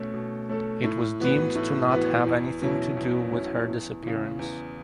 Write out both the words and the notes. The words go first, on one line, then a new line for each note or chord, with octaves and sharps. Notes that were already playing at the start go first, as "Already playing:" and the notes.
It was deemed to not have anything to do with her disappearance.
Already playing: B2 A3 C#4 A4
B2
A3 C#4 A4
A2
E3 B3 F#4 B4
A2
E3 B3 F#4 B4
E2
B2 F#3 C#4 E4
E2
B2 F#3 C#4 E4
E2
C#3 E3
E2